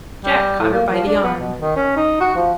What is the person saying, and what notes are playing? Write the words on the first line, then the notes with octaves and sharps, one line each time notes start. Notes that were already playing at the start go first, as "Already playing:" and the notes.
Jack caught her by the arm.
G3
A2
A#3
F3
D4
B3
B2
D#3
C#4
D#4
F#4
F3